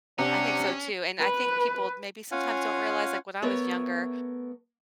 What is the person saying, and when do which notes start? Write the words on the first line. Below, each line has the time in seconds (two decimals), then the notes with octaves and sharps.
I think so too, and I think people, maybe sometimes, don't realize like, when I was younger,
0.19 C3 C#4 D4 F#5
1.19 B4
2.32 C#4 F4 F5 F#5 G#5
3.42 A3 B3 A#4 C#5